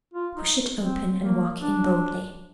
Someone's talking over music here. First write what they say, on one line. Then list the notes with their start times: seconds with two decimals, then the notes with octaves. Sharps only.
Push it open and walk in boldly.
0.14 F4
0.36 D#4
0.78 C4
1.19 A#3
1.62 D4